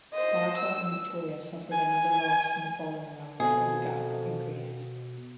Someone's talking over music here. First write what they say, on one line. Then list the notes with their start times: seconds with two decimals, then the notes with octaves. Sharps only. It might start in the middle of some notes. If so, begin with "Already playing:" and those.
Sparta and Viktoria suffered another loss in the following round and the gap increased.
0.13 C5 D#5
0.57 E6
1.72 G#5
3.40 F2 B2 G#4